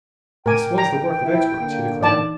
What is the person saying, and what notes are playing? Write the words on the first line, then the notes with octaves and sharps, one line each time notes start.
"This was the work of experts," he declared.
A2 A#4 G5 G#5 D6
A#5
A#2 E3 E4
D3 A#3
E3 D#4 D5 A5